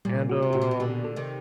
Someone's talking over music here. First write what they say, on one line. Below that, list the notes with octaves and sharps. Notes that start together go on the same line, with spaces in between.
and, um,
A#2 G3
F#4
C3
A2 F#4 G4
A#2
C3
A#2 D3 G4
A4
C3 D#3